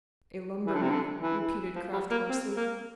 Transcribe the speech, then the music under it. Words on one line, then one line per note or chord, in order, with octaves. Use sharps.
"A lumberman," repeated Kraft, hoarsely.
E3
D3
C3
D3
E3
F3
G3
A#3
C4
A#3